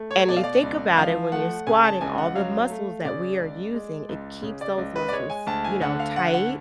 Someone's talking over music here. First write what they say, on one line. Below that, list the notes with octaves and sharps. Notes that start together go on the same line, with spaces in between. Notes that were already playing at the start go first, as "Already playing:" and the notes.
And you think about it when you're squatting, all the muscles that we are using, it keeps those muscles, you know, tight
Already playing: A3
C#5
B2 D5
F5
D5
C#2
F3 F5
A3 F#5
C#3 G#5
A5
C#2 G#5
F#5
F#3 F5
A3
C#3 D5
C#2
G#3
C#2
C#3
D5
C#2
B4
D5
G#3 C#5
G#5
D2 A5
G#5
D3 F#5
F5
D2 F#5
F#5